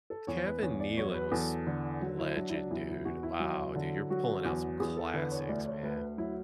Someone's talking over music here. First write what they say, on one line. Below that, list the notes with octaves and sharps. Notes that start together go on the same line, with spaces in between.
Kevin Nealon was legend, dude. Wow, dude, you're pulling out some classics, man.
A4
E2 C#5
B4
E2 C#5
D5
F#3 C#5
B4
E2 A4
D3
F#3
E4
F#3 D4
E4
D4
E2 E4
E4
E2 F#4
E4
F#3
D3
F#3 F#4
E2
E2 G#4
A4
D3 B4
C#5
D2 D5
C#5
D2 B4
F#3 E4